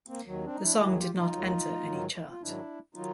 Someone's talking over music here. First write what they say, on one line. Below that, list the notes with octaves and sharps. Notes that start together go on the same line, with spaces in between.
The song did not enter any chart.
A#3 C4
D#2 D#3 F#3
C4 D4
D#4
D4 E4
D#2 D#3 F#3 E4 F#4
G#4
F4 G4
D#4 F4
D#2 D#3 F#3
G#2 D#3 F#3
F4
G#2 D#3 F#3 D4 E4
D#3 F#3 D#4 F4